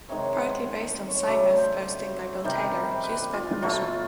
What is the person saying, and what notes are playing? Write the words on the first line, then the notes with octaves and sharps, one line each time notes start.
Partly based on sci.math posting by Bill Taylor, used by permission.
C3 D#3 G#3 C#5
C5
C#5
C#3 F#3 A3 D5
C5
C3 D#3 G3
B4
F4
B2 F#3 A3 F4